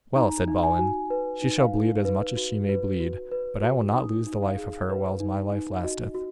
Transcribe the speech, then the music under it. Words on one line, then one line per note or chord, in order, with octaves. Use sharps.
Well, said Balin, she shall bleed as much as she may bleed, but I will not lose the life of her whiles my life lasteth.
D#4 A#5
D#4
G#5
F#4
B4
D#4
F5
D#4
B4
F#4
B4
F#4
B4
F#4
D#4 D#6
D#4
F5
G#4
B4
D#4
D#4
F#4 D#5
F#4